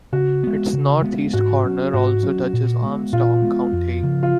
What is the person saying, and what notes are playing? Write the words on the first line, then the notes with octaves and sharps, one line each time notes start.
Its northeast corner also touches Armstrong County.
C#3 F#4
G#3 B3
C#3
G#3 B3
G#2 F#4
F#3 C#4
G#2 F#4
F#3 C#4
A#2
G#3 B3
A#2 F4
G#3 B3
F2
C#3 F3
F4